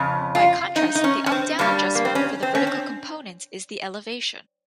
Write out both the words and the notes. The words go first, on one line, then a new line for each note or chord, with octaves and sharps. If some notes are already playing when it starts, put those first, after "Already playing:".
By contrast, the up-down adjustment for the vertical component is the "elevation".
Already playing: F2 C#3
F4
D#4
D#4
C#4
C#4
C4
G2 G3 A#3
A#3
C4
C#4
C4
C#4
C4